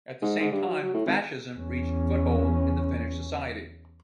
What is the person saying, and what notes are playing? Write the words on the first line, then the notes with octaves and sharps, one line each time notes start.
At the same time, fascism reached foothold in the Finnish society.
G#2
G#2
G2
F#3
F#3
A2
G#1
E2 C#4